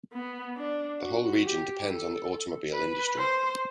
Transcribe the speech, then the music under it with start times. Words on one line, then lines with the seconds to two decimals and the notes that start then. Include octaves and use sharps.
The whole region depends on the automobile industry.
0.13 B3
0.57 D4
1.00 F#4
1.44 G4
1.87 A4
2.73 B4
3.17 C5